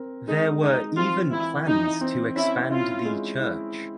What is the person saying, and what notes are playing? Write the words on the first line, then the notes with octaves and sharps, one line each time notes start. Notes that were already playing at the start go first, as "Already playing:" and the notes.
There were even plans to expand the church.
Already playing: C4 A#4
G#3 D#4
G#3 D#4
C4 F4
E3 E4
E3 D#4
C4
C#4 E4
E4 F4
G#3
E4